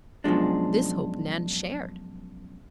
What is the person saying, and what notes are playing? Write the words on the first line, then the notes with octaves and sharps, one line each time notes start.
This hope Nan shared.
F#2 B2 F3 G#3 D4